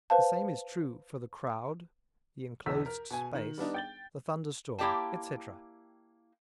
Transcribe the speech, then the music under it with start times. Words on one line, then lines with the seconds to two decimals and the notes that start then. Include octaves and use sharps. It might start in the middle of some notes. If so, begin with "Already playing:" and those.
The same is true for the crowd, the enclosed space, the thunder-storm, etc.
0.10 B4 C5 F5 A5
2.66 B1 E2 E6 B6
2.86 A#4
3.11 B2 G#5
3.35 D#3
3.58 G3 B3 D4 D#4
3.74 G5 A6 G7
4.79 A#3 E4 G4 D5 G5 A5